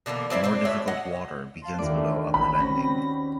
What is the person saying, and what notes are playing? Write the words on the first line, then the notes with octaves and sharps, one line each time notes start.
More difficult water begins below Upper Landing.
B2 D3 E3 A#3
D#3 C4 E4 D5
C4 D4 C5
A2 F#4 C#5 E5
D#5 F#5
F5 A5 C6
D#2 A3 D4 F4 D5
A1 B5
C4 C#4 F#4 A#6